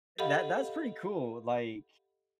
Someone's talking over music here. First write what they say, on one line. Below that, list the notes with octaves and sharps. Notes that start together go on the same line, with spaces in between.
that that's pretty cool. Like,
G4 A4 D#5 F5 F#5 B5